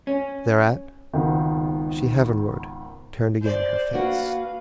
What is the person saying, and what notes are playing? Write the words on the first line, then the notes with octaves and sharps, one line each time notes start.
Thereat she heavenward turned again her face.
C#4
G#1 C#2 G#2 D#3 B3
C5 D5
A#3 D4 F#4 B4 F5